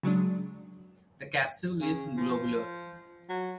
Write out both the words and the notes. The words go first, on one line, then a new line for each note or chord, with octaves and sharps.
The capsule is globular.
C#3 F#3 G#3 D4
C#3
F3
F#3